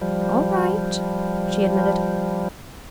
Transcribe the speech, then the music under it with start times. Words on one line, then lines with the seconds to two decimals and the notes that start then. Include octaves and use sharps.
"All right," she admitted.
0.01 F3 G3